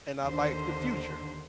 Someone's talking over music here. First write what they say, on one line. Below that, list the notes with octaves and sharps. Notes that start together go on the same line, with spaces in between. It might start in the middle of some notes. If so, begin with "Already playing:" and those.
and I like The Future,
D#2 D3 C5